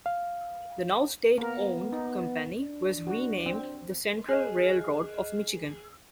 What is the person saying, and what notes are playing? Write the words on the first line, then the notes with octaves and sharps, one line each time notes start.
The now state-owned company was renamed the Central Railroad of Michigan.
F5
A#3 B3 A#4
D#4
D4
F#4
C4
G#4 D#5 F6 F#6